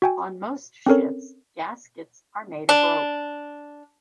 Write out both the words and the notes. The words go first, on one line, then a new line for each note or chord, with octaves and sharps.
On most ships, gaskets are made of rope.
F#4 G5 G#5
C4 C#4 A4 A#4 C#5
D4